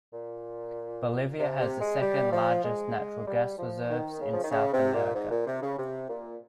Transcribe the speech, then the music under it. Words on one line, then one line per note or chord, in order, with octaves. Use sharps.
Bolivia has the second largest natural gas reserves in South America.
A#2
C3
C3
G#3
G3
F3
G#3
G3
F3
D#3
C#3
F3
D#3
C#3
C3
A#2
G#2
A#2
C3
C#3
C3
A#2